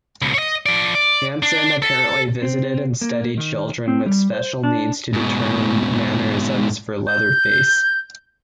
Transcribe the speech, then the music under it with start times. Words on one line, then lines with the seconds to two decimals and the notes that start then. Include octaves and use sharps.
Hansen apparently visited and studied children with special needs to determine mannerisms for Leatherface.
0.22 C#2 B2
0.34 C#5 D#5
0.66 F3 D5
0.95 D5
1.43 D4
1.82 A4
2.42 C4
3.01 A#3
3.38 D#3
3.88 C4
4.06 G3
4.32 C5
4.64 D4
5.13 G#2 B2
7.07 G6